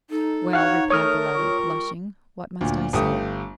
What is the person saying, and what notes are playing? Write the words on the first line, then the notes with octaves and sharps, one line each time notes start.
"Well," replied the latter, blushing, "what must I say?"
D#4 A4
F#4 C#5 F5 F#5
A3 A#4 C#5 D#6 F6
G3 F4 C#6
D2 A#2
G1 A3 G4 D#6